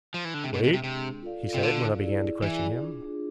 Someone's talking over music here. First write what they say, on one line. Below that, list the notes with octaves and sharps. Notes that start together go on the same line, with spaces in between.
"Wait," he said when I began to question him.
F3
E3
D3
C3 G#3 D4 G#4
B2
B2
C3
C3
F4 A4 D5 F5
C3
D3
E4 G#4 D5
E3
D4 F4 G#4